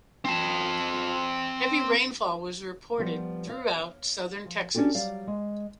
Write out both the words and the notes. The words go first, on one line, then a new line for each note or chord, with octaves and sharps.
Heavy rainfall was reported throughout southern Texas.
C4 A5
F3 G3 B3
C#5 F5
F3
C#4 D4 F#4 G4 A4
F#3 G3 D5 F5
G#3